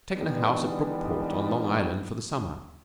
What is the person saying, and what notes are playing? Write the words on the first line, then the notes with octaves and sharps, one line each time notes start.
I've taken a house at Brookport, on Long Island, for the summer.
E3 G3 G#3 B3 D4 D#4